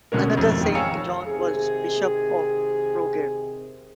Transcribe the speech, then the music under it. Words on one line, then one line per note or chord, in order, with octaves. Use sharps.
Another Saint John was bishop of Trogir.
B2 D3 G#3 C#4 A#4
A#1 F2 G#2 A3
F1 D#3
C#5 F5 G#5 A#5 E6 C#7
C3 D#3 G#4